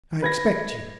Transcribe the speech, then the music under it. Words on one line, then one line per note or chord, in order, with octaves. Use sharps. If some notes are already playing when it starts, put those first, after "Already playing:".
I expect you.
B4 G#6 A#6